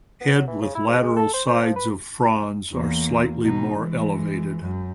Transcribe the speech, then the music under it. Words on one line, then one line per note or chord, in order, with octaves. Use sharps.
Head with lateral sides of frons are slightly more elevated.
B3
F#3
E3
C#3
E4
G#2
G#3
A4
C5
C5
F3
B4
E2 A#3
B2 D#4
E3 G#3
F#2